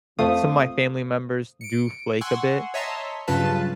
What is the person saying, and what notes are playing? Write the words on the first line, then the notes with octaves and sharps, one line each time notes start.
m some of my family members do flake a bit,
F2 A3 C5 F5 D#6
C#7 D7
F#5 G#5 C6 C#6 E6
C#5 D#5 E5 A5 A#5 C6
G2 C#3 F#3 F4 B4 A5